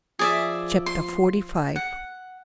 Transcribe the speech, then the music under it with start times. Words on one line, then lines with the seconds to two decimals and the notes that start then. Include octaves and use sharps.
Chapter XLV.
0.19 F3 G#4 D5 E5
0.86 C6
1.76 F#5